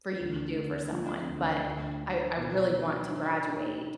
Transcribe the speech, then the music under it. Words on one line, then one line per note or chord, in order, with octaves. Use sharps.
for you to do for someone, but I I really want to graduate
D2
D2
F3
D2
D2
D4
B2
F#3
D#4
D#4